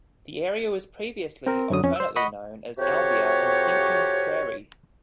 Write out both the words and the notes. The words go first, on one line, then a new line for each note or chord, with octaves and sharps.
The area was previously alternately known as Albia and Simpkins' Prairie.
C4 A#4
F#2 D3 F#3 D#6
F2 C#4
C5 E6
D#5 F#5 B5 C#6 D#6
F2 C3 F#4 G4 C#5